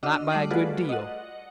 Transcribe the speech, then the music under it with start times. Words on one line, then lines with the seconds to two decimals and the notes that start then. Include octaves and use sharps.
Not by a good deal.
0.03 D4 F#4 D#5 E6 F6
0.31 G3 A3 D#5 D6 C7 F#7
0.50 F4 F#4 G#4 A4 B4 D5
0.89 D#5 F#5